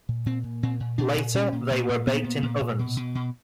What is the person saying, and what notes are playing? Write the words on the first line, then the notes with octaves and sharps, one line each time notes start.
Later they were baked in ovens.
A#2
A#2 C4
A#2
A#2 C4
A#2
A#2 D4
A#2
A#2 C#4
A#2
A#2
A#2
A#2 B3
A#2
A#2
A#2
B2
B2
B2